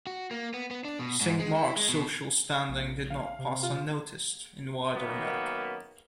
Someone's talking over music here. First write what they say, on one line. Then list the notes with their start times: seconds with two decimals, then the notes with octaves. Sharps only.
Saint Mark's social standing did not pass unnoticed in wider America.
0.07 F#4
0.31 A#3
0.54 B3
0.71 B3
0.85 D4
0.99 B2
1.21 G#2
1.39 G#3
1.56 E4
1.76 G#3
1.88 B2
2.69 A#1
3.10 F5
3.39 C3
3.63 F4
4.95 F#2 D#3 A#3 B3 F#4